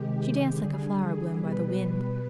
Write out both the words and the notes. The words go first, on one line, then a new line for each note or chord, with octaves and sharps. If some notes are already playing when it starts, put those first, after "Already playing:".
She danced like a flower blown by the wind.
Already playing: C3 D#3 G#3 G4
D3 G3 G#4
B2 G3 B4